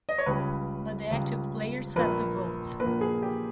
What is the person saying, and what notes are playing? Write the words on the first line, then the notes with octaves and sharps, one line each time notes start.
But the active players have the vote.
D#5
C#5
C#2 C#3 G3 B4
C#2 C#3 G3
A#1 A#2 A#3 B4
A#1 A#2 A#3 B4
G#4
G4